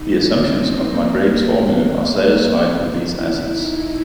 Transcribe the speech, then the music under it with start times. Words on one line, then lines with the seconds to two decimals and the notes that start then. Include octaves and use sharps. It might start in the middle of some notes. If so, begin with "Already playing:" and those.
The assumptions of Margrabe's formula are satisfied with these assets.
Already playing: D#4
0.34 C4
0.74 A#3
3.11 E4
3.51 D#4